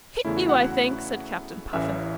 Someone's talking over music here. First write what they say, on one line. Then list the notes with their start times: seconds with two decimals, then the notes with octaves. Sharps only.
"Hit you, I think," said Captain Puffin.
0.25 E2 C#3 A3 C#4 E4
0.37 F#4
0.49 F#5
0.62 F#5
1.73 A1 A2 E3 C#4 E5